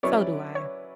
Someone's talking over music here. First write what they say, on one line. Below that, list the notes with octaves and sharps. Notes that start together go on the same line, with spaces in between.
So do I.
F#3 C#4 E4 B4 C#5 D5
C#5